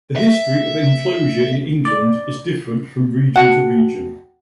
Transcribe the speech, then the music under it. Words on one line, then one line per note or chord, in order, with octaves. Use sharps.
The history of enclosure in England is different from region to region.
E5
D5
F#4 F#5 G5 A5